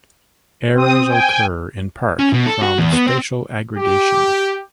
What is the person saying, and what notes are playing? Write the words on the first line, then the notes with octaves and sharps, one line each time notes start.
Errors occur in part from spatial aggregation.
C4 D#6
G5 G#5
C#4
B2
A4
F#4
E2
B3
C4
G4